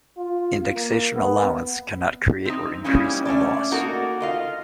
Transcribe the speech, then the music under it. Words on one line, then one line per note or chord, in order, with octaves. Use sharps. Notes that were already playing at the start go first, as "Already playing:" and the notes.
Indexation allowance cannot create or increase a loss.
F4
A#3
B3
C4 D#4
G3 G#3 A#3 C#4 E4
A3 C#4 D4 D5
A#3 D#4 F#4 A4 A#4
F4 D#5 F5